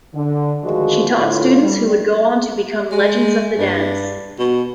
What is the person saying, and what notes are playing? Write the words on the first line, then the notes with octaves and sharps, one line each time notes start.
She taught students who would go on to become legends of the dance.
D3
D2 D#3 F3 G#3 F#4
A2 D3 F4
G3
G#3
G2
B2